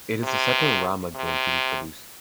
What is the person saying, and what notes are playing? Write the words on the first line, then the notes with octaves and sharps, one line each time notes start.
It is the second Rama game to be produced.
C3
C3